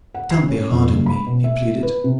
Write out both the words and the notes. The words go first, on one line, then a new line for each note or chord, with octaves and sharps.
"Don't be hard on me," he pleaded.
F#5
C7
C#4
F2
F#1
B5
B2
E5
B4
C3